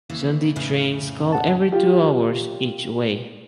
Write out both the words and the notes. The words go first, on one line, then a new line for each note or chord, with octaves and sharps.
Sunday trains call every two hours each way.
D#2 C#3 E3
F2 A2 C#3
F#5 A5
F4 G4